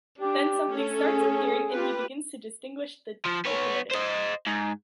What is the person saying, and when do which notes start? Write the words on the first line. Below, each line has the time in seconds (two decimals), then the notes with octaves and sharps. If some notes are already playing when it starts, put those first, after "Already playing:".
Then something starts appearing and he begins to distinguish the definitive.
0.20 D4 G4
0.68 A3 C#4 A4
1.00 G#4
1.71 F4 G4 B4
3.25 F3
3.45 B3 C#5
3.91 C5 D#5
4.47 G#2